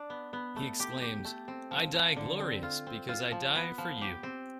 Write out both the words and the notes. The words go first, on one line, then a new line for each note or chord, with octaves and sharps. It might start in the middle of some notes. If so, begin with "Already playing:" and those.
He exclaims: I die glorious because I die for you!
Already playing: D4
B3
B3
A3
G4
G4
A3
C4
F3
F3
D3
C4
F4
C4
F4
F3
B3
F3
G4
C4